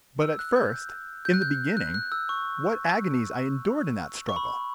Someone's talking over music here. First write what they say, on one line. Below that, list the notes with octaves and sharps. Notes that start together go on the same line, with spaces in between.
But at first, in the beginning, what agonies I endured in that struggle!
E6
F#6
G6
G6
F#6
G6
F#6
F#6
E6
C#6
C#6
B5